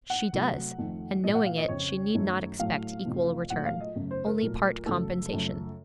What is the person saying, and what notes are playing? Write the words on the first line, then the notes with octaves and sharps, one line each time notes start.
'She does; and knowing it, she need not expect equal return--only part compensation.
F#5
C3 F#3 A3
F2 D#3 A3
A#2 F3 A3 D#5
F#5
F5
D#5
F2 C#3 F3 C#5
F#2 D#3 F#3 A3
A2 F#3 A3 F5
F2 C3 F3 A3
A#2 F#3 A3 F#5
F5
D#5
F#2 C#3 A3
C5
A#4
A#2 F#3 A3
F#2 C#3 F#3 A3 A4
F#2 C#3 F3 A3